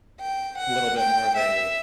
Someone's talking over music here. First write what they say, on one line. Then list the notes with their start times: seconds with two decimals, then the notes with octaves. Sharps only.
little bit more of a,
0.19 G5
0.58 F#5
0.98 G5
1.37 E5